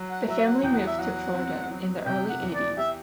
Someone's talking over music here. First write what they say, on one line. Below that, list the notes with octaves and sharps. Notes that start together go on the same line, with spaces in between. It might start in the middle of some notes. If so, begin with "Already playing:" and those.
The family moved to Florida in the early Eighties.
Already playing: F#3
F#5
F#3 E5
F#5
E2 G5
F#5
E5
F#3 F#5
C4
F#3
C3 G5
F#5
E2
D5
G4 E5